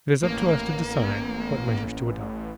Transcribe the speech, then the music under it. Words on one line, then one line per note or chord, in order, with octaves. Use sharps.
"It is up to us to decide what measures to adopt."
A1 A#3